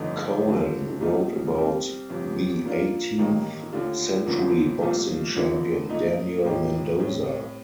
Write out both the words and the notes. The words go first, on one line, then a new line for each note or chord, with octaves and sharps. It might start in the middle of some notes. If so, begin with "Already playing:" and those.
Cohen wrote about the eighteenth century boxing champion Daniel Mendoza.
Already playing: G1 F2 D3 A3 D#4
G1 G2 D3 F3
C2 A#2 F3 A3 D#4
C2 C3 G3 C4
G1 F2 C3 F3
A#2 F3 A#3 D4 F4
A1 G2 D#3 A#3
D#2 D3 A3 D4 F4
G1 F2 D3 F3 A#3
C2 A#2 F3 A3
F2 D3 F3 A#3 D4
A#2 A3 D#4
A2 F3 A#3 D#4 G4
A2 G3 C4